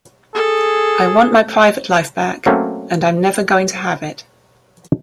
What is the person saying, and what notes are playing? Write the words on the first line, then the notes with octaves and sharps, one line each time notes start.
I want my private life back and I'm never going to have it.
G#4 A4
F#3 A3 A#3 C4 C#4